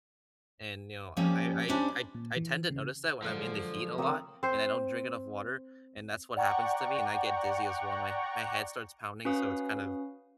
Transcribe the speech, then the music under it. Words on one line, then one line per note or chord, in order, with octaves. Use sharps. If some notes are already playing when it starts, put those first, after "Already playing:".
and, you know, I I I t I t I tend to notice that when I'm in the heat a lot and I don't drink enough water, and that's what happens to me, and I get dizzy as well, and my my head starts pounding, so it's kind of
F3 G3 A#3 C#4 G4
C#4 D4 E4 G4 C5
A#2
E3
C#3
F#2 D3 F3 G#3
C#3 A#3 C4 C#5 D#6 E6
C4 C5
D5 F#5 G5 A#5 C#6
C#4 F#4 B4 F5 D#6